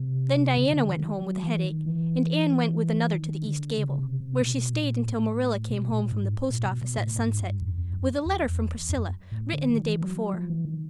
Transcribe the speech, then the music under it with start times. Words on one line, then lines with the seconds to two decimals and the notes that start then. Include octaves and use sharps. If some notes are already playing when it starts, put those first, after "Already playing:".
Then Diana went home with a headache and Anne went with another to the east gable, where she stayed until Marilla came home from the post office at sunset, with a letter from Priscilla, written the day before.
Already playing: C3
0.58 C#3
0.73 D3
0.90 D#3
1.21 F#3
1.43 E3
1.64 D#3
1.86 E3
3.13 D#3
3.46 D3
3.77 C#3
3.98 C3
4.20 C3
4.42 B2
4.74 A#2
5.06 A2
5.70 B2
5.91 A#2
6.12 G#2
6.50 A#2
6.65 B2
6.82 B2
6.98 A2
7.19 G#2
7.40 G2
7.62 F2
7.78 F2
7.94 F#2
8.26 E2
8.46 F2
8.68 E2
8.89 F#2
9.32 A2
9.53 D3
9.70 D#3
9.86 E3
10.02 F#3
10.17 F#3
10.34 F3
10.50 E3
10.65 D#3